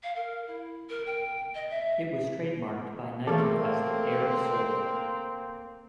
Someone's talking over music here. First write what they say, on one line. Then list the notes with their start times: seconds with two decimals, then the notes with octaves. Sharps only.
It was trademarked by Nike as the "Air" sole.
0.03 F5
0.16 A#4
0.47 E4
0.89 A#4
1.06 G5
1.55 D#5
1.70 E5
3.27 E3 A3 A#3 C4 G#4 A4